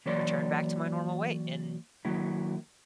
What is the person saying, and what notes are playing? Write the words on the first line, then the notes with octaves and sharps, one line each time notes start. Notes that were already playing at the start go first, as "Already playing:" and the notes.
returned back to my normal weight in
E3 F#3 A#3 C#5 D5 C6
D#3 F#3 A#3 E4